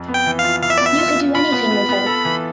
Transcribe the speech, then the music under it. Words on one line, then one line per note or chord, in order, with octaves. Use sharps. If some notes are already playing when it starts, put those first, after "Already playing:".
You could do anything with her.
Already playing: F2
B3
G5
E3
F5
F4
E3 F5
E5
B3 D5
E5
F4
F4
F4 B5
B3
B3
B3
A4
E3